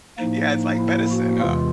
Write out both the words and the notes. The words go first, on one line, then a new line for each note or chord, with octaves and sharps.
Yeah, it's like medicine, huh?
A2 F3 A#3 D#4
E4
F#4
E2 C3 E3 G#3 F4